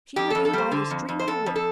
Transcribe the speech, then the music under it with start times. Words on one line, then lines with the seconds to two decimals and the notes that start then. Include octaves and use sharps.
She will be by the stream in the wood.
0.16 F2 G4
0.30 F2 A4
0.45 A4
0.53 G3 C5
0.72 D3
0.90 F2
1.09 F2
1.19 C5
1.28 F2 A4
1.46 F2
1.56 A4